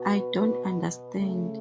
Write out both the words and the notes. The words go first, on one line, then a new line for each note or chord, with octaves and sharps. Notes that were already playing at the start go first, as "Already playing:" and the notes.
I don't understand.
Already playing: B2 B3 F#4 B4
B2 B3 F#4 B4
C#3 A3